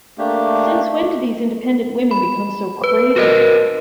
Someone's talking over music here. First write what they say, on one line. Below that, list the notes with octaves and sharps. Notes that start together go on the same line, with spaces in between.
Since when did these independent women become so craven?
A3 A#3 D4 G4
B5
B4
F#4 A#4 D#5